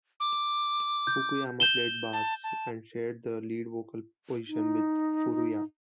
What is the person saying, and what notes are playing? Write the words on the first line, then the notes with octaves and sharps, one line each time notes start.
Fukuyama played bass and shared the lead vocal position with Furuya.
D6
G6
G6 E7 G7
A5
A5
D#4